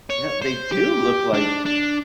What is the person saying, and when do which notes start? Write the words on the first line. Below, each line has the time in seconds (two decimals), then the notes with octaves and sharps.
you know, they do look like
0.10 C#5
0.42 C5
0.72 G4
1.34 D4
1.65 D4